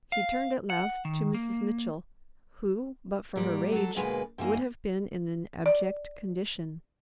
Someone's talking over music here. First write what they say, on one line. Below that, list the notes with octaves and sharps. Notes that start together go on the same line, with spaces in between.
He turned at last to Mrs. Mitchell, who, but for her rage, would have been in an abject condition.
F5
F#5
D#3
A#3
G#2 G3 A#3
F#3 A4
D2 B2 G#3 A#3 B4
F#2 E3 A#3 D#4
D5